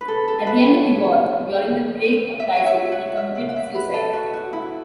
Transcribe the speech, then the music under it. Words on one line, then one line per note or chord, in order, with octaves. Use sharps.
At the end of the war, during the Prague uprising, he committed suicide.
B4
A4
A4
A4
B4
C#5
E5
C#5
E5
F#5
E5
F#5
F#5
E5
B4
A4
F#4
F#4
E4